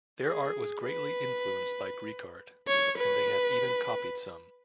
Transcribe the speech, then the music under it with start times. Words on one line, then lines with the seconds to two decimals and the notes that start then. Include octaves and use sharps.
Their art was greatly influenced by Greek art, and they have even copied some.
0.23 G#4
0.84 B4
2.68 C#5
2.98 B4